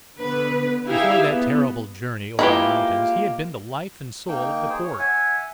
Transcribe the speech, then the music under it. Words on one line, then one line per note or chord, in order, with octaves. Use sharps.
Before that terrible journey over the mountains he had been the life and soul of the Port.
D3 B3 B4
D#4 E4 G4 G#4 E5 F5
B3
G#3 A#3 E4 F4 G4 B4 G#5
A#3 D#4 G5
G#4 C5
C#5
E5 F#5 G#5